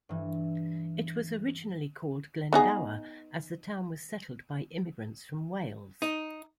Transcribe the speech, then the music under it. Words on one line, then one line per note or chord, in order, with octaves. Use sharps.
It was originally called Glendower as the town was settled by immigrants from Wales.
G2 E3
B3 D#4 G#4
D#4